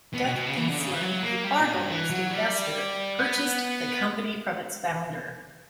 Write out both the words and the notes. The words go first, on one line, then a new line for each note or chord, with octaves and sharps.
Doug Geeslin, a Fargo-based investor, purchased the company from its founder.
B2
B2
B2
C#3
E3
D3
C#3
E3
F#3
A#3
G3
A#2
G2
E3
F#3
G3
B3